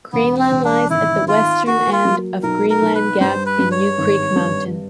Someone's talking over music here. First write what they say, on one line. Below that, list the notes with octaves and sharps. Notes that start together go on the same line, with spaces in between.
Greenland lies at the western end of Greenland Gap in New Creek Mountain.
E1 B3
C4
E1
D4
G#1 E4
D#3 F4
A#3 F#4
F4
F#3
B1 A#4
A#4
B1
B4
G2 C5
B4
G2
C#5
G#1
G2